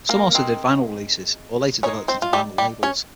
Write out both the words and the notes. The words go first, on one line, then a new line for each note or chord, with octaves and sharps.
Some also did vinyl releases, or later developed into vinyl labels.
A#3 A#4
G#3 C4 D#4
G#3 C#4 D#4 C#5
C4 C5
F4
G3 G4
G3 G4
C#4 C#5